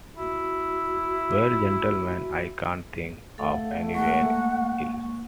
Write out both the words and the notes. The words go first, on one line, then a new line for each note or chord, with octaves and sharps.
Well, gentlemen, I can’t think of anywhere else.
E4 F#4
A3 A4 F5 F#5
G#3 A#3 F#5 C#6